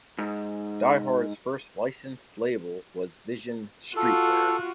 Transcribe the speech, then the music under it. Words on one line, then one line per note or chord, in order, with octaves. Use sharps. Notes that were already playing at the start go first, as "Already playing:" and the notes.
Die Hard's first licensed label was Vision Streetwear.
G#2
F4 F#4 A4